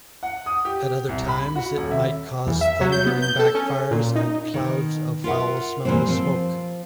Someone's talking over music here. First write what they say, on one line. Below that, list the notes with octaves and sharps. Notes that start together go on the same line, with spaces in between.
At other times it might cause thundering backfires and clouds of foul-smelling smoke.
F#5
D#6
G4
C2
B5
F#4
D#1
E5
E2
E5
F#3
G6
B3
G6
A4
C#4
A#2
D#4
B2 D#3
F4 A#4 E5 F#5
A#2 D#3 E3 G3 C4
F3 C4